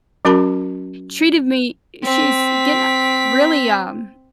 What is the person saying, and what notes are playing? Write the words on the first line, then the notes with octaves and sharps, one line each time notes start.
treated me i she's gonna really, um,
F#3 C#4 F#4 A#4 A5 B5
C4 B6